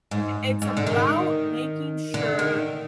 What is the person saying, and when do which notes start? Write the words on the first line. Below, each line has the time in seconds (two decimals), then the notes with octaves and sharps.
it's about making sure
0.11 G#2
0.62 G#2
0.77 D3
0.87 D#3
2.14 D3
2.39 D#3